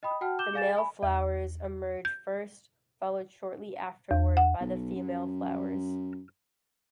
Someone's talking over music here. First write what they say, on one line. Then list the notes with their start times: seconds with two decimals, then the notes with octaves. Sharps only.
The male flowers emerge first, followed shortly afterward by the female flowers.
0.03 D#5 G5 B5 D#6
0.21 F#4 F#5 G5 A5 F6
0.39 D6 G6 E7 G7
0.54 G#4 D5 F5 G#5 A6 E7
0.76 G#5 B5
1.03 E2
2.05 G6
4.11 E2
4.37 F#5
4.60 B1
4.96 F#2